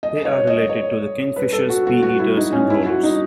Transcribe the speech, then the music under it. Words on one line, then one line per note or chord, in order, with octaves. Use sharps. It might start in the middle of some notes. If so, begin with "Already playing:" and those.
They are related to the kingfishers, bee-eaters and rollers.
D#5
C#5
D#5
C#5
B4
A4
F#4
F#4
F#4
E4
D#4
C#4
E4
F#4
D#4